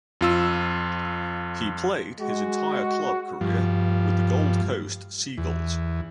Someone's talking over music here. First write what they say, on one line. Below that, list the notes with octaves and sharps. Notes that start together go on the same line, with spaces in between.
He played his entire club career with the Gold Coast Seagulls.
F2 F4 E6
G#3 F#4
G2 F3
E2